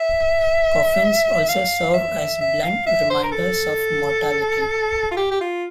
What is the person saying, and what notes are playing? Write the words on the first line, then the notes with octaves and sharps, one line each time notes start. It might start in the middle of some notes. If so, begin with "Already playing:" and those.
Coffins also serve as blunt reminders of mortality.
Already playing: E5
F5
E5
E5
F5
E5
C5
A#4
A4
F4
G4
G4
F4